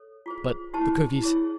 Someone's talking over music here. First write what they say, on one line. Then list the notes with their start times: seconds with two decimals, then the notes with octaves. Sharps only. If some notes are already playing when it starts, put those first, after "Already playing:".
But the cookies!
Already playing: A4 C#5
0.26 F4 G#4 C5
0.73 E4 G4 C5 A5
1.21 E4 G#4 C#5